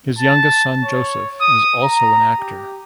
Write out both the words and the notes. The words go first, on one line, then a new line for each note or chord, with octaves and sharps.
His youngest son, Joseph, is also an actor.
A5
C#5
D#6
A#5
G4